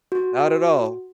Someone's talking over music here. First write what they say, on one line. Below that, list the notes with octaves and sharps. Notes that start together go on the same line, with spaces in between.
Not at all.
F#4